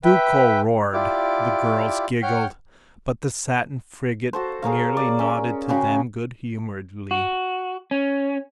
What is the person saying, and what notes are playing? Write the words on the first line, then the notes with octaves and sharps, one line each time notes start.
Duco roared, the girls giggled, but the Satin Frigate merely nodded to them good-humouredly.
B4 E5 G5
E4 F4 G4 D5 D6
C#5 F#5 G5 F6 G6
F#4 A4 C5
G#4 A#4 C#5 F5
D5
C#4
C#3 C#4 F#4 G5
F#4
C#4